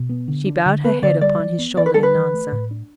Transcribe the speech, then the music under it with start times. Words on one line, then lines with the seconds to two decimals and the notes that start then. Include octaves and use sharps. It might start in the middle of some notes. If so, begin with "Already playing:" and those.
She bowed her head upon his shoulder in answer.
Already playing: B2
0.09 B3
0.28 D3
0.47 D4
0.66 D3
0.84 B3 B4
1.03 D3 D5
1.21 G3 D5
1.40 E3
1.59 B3
1.77 E3 D5
1.86 B4
1.94 G3 A4
2.03 B4
2.15 E3
2.34 A3
2.52 A2
2.71 D4